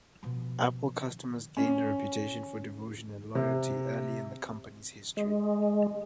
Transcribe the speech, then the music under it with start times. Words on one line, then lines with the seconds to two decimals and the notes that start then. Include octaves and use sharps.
Apple customers gained a reputation for devotion and loyalty early in the company's history.
0.23 B2 F3
1.57 C#4
3.35 C3
5.17 G#3